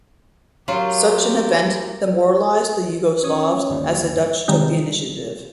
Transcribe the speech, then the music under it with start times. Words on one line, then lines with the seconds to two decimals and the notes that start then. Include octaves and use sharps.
Such an event demoralized the Yugoslavs, as the Dutch took the initiative.
0.68 F#3 F4 G4 A#4
3.24 C#4 C#5 D#6
3.69 G1 D#2 G3
4.48 C3 D#3 G3 G#3 D#4